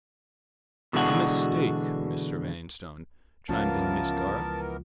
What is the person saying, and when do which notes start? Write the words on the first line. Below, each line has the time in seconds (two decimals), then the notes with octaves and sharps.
"A mistake, Mr. Vanstone," chimed in Miss Garth.
0.93 B2 D3 E3 G#3 D4 F#4
3.49 C#2 E3 F3 B3 C#4 F4 A#4 A5